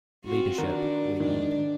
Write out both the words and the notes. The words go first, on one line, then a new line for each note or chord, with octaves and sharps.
Leadership We Need.
C4 F4 F#4
D#3 D4 F#4 A#4
G#2 D#3 D4